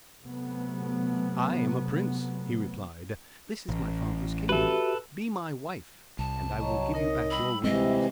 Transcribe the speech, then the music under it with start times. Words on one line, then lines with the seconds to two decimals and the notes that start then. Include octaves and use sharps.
"I am a prince," he replied; "this is my father's kingdom; be my wife, and I will give you back your wings."
0.24 C3 F#3 A3 B3
3.69 A1
4.49 F#4 G4 A4 B4 E5
6.19 C2 A5
6.61 F#3 D#5 A#5 C#6
6.94 D#4 A#4 C#5 D#5
7.31 G3 B5 E6
7.64 C3 E3 G#3 C4 D#5